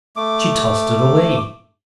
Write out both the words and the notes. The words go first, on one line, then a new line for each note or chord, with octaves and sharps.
She tossed it away.
A3 D6